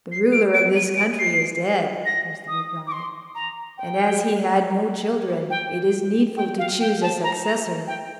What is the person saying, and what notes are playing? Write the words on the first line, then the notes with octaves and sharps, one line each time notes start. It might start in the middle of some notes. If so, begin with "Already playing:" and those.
'The ruler of this country is dead,' was the reply, 'and as he had no children, it is needful to choose a successor.
C7
D7
D7
D#7
D7
C7
A#6
D#6
D6
C6
A#5
G5
G5
G5
F5
G5
A5
A#5
A#5
G5